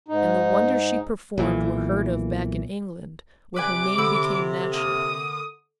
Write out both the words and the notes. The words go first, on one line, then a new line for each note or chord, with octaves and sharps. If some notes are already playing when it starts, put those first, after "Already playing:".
And the wonders she performed were heard of back in England, where her name became national.
G#2 D#4
B1 A#2 E3
C3 B4 D5 G#5 D6
D3 B5 E6
A#3 D#6